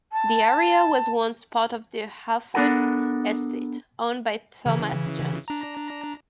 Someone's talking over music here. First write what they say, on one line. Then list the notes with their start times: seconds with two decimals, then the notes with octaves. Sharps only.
The area was once part of the Hafod Estate, owned by Thomas Johnes.
0.13 A5
2.54 B3 D4 A4 A#4 F#5
4.66 C#3 E3
5.48 D4 A#5